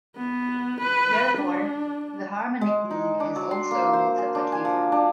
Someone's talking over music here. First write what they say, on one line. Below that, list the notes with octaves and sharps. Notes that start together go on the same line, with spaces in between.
Therefore, the harmonic mean is also multiplicative.
B3
B4
D4
G#3
D#4
D4
F#3
C6
A#3
C5
G#4
D4
G#5
F3
D4